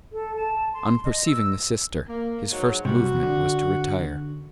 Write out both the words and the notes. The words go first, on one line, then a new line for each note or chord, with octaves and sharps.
On perceiving the sister, his first movement was to retire.
A4
A5
C6
D#5
E6
A#3
G#2 F#3
C3 G3 F#4
D3